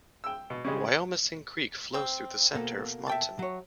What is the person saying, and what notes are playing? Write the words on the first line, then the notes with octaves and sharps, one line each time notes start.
Wyomissing Creek flows through the center of Mohnton.
G5 E6
B2
C#3 G3 G#3
C4
B2 A#3 A4
E5 G5 A5
F#3 C#5